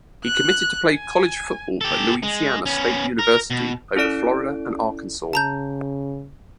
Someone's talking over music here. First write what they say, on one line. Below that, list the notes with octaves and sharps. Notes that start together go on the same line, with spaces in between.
He committed to play college football at Louisiana State University over Florida and Arkansas.
F#6
G#5
G4 A4
G#3
B3 C#4
A#4
B2
C#4 E4 A4 D5 D7
C#3 A5 A#5 G6